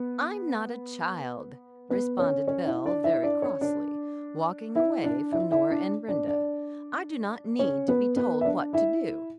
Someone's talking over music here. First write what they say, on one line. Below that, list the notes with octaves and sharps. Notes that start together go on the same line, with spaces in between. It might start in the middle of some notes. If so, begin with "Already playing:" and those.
"I'm not a child," responded Belle very crossly, walking away from Nora and Brenda, "I do not need to be told what to do."
Already playing: B3 B4
B3 B4
C#4 C#5
C#4 C#5
E4 E5
D4 D5
E4 E5
D4 D5
C#4 C#5
D4 D5
E4 E5
D4 D5
E4 E5
E4 E5
D4 D5
D4 D5
D4 D5
C#4 C#5
B3 B4
B3 B4
E5
D4 D5
E4 E5